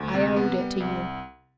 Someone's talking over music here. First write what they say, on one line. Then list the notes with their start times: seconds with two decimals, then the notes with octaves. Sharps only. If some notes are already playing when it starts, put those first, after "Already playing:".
"I owed it to you."
Already playing: D2
0.14 C3
0.36 B3
0.58 G3
0.80 C2